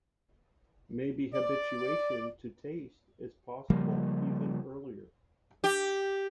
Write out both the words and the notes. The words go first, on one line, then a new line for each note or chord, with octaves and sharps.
Maybe habituation to taste is possible even earlier.
D5
C#3 F3 G3 A#3
G4